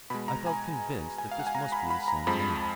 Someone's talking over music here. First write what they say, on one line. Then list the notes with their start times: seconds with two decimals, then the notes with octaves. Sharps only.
I felt convinced that this must be the same man.
0.10 B2 G#3 B5
0.28 A#5
0.46 G#5
1.18 G#5
1.31 F5
1.39 F#5
1.47 G#5
1.55 A#5
1.72 B5
1.90 B5
2.08 A#5
2.27 F2 F3 G#3 B5